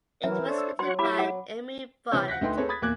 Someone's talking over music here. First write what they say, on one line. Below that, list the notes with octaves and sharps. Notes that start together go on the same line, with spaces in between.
It was written by Emery Bonnett.
E3 F#3 E4 A#4 E5
D4 A4 C5 C#5
E6
F#3 F#4 C#5 F#5 C6
E4 G4 E5 B5 D6
F#5
C3 E3 C4 C#5 G6
F#5 F#6 A#6 B6
D2 A3 D#4 B4 G5 C6
C4 G#4 A4 B4 C#5
B5 D#6 G#6 A6 B6
E2 A#2 A#3 D6 F#6 G#6